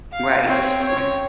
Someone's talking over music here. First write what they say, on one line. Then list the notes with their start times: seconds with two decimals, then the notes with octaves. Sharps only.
Right, right.
0.12 F5
0.46 C4 C#5
0.84 C#5